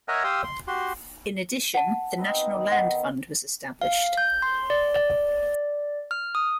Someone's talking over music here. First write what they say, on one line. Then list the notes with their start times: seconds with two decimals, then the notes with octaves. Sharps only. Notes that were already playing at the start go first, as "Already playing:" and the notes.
In addition, the National Land Fund was established.
0.08 A#4 C#5 D#5 E5 F#5 G#5
0.24 G4 F5 G5 C6 D#6 E6
0.44 C6
0.68 F#4 G4 C6
1.74 F#5 A5
2.18 B3 C4 D#4
2.54 D#3
2.72 F#5
3.82 F5
4.17 G6
4.42 C6
4.70 D5
4.94 D5
6.11 F6
6.35 D#6